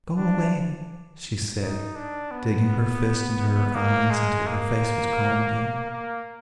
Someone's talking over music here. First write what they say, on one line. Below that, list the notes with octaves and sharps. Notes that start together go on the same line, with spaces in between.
"Go away!" she said, digging her fist into her eyes until her face was calm again.
D4
D#4
D4
B3
A#3
G#3
A#3
A#3